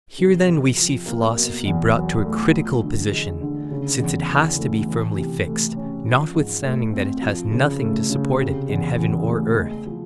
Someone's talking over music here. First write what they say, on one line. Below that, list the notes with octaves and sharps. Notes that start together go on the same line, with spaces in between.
Here then we see philosophy brought to a critical position, since it has to be firmly fixed, notwithstanding that it has nothing to support it in heaven or earth.
C3
F2
F3
A#3
B2
E2
F#3
A3
F3
D3
G#3
D3
C#3
E2
E3
A3
E3
C3
A3
C#4
F3
G#2
A3
C4
F3
C#3
A3
C#3
C3
E2
E3
A3
G#3
F3